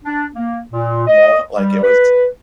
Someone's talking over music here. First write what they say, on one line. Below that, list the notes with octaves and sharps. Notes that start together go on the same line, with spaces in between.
You know? Like, it was
D4
A#3
A#2
D#5
G3
B4